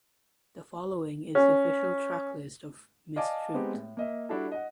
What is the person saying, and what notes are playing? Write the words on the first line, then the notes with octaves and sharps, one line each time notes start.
The following is the official track list of "Miss Truth".
C#4
D5 D#5 F5 G#5 A5 D6
G#3 B3 C4 D#4 G4
A2
A#3 D#5 E5
G3 D4 E4 F#4 A4
D#5 F#5